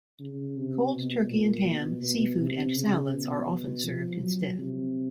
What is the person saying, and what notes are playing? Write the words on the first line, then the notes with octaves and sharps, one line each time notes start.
Cold turkey and ham, seafood, and salads are often served instead.
C#3
C3
B2
A#2
B2
B2
C3
C#3
B2
F3
F#3
C3